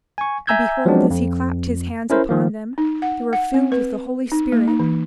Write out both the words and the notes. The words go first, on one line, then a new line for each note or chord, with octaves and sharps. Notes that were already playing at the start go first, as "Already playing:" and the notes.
And behold, as he clapped his hands upon them, they were filled with the Holy Spirit.
G#5 C#6
E5 G#5 A#5 E6 G6 G#6
F3 F#3 G#3 B3 C4 D4
F2
C#4 E4 A#4 C5
D#3 F3 A#3
D#4
F#5
F#5
C4
B4
D#4
A#3
D#4
E3